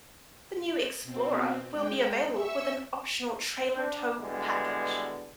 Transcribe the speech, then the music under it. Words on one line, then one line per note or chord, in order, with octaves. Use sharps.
The new Explorer will be available with an optional trailer tow package.
B2 C4
G#3 G5
E5 C#6 E6
D4
B2 D3 E3 G3 G#3